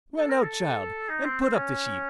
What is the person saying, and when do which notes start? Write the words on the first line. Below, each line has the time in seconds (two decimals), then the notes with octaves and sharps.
Run out, child, and put up the sheep.'
0.18 A4
0.30 A#4
0.44 A4
1.09 D#4
1.24 C4
1.40 C4
1.55 C#4